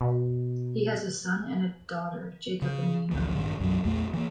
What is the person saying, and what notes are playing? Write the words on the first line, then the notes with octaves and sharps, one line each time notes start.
He has a son and daughter, Jacob and Nina.
B2
C#3
A1 D2 E3 F3
A1 G2 D#3
B1 F#2 E3 F#3
A#1 E2 A3
E3 A#3